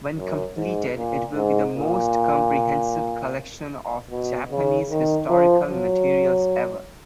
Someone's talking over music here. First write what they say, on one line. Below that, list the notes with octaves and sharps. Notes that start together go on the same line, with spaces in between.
When completed, it will be the most comprehensive collection of Japanese historical materials ever.
F#2
G#2
A#2
G#2
A#2
B2
C#3
D#3
F3
F#3